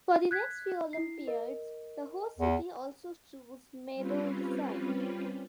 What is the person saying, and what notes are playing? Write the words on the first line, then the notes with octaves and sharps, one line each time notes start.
For the next few Olympiads the host city also chose the medal design.
F#6 G#6 B6
E4 C7
A#4 D#5
E2
G3 C4 C#4 F4 B4